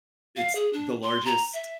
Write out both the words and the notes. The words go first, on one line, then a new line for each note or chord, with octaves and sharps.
It's the largest
F5
G#4
D4
C6
A#5
E5